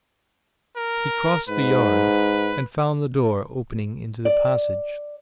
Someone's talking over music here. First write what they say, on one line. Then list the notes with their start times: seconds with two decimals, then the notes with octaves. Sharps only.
He crossed the yard and found the door opening into the passage.
0.76 A#4
1.49 G#2 B4
4.25 D5